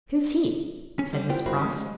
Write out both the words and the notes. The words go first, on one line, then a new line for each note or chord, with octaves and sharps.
"Who's he?" said Miss Pross.
C#4
G3
B3 E4 F4 A#4 C5 G5
G2 E4 F#4 A#4 C5 B5
G3 C#4
G#3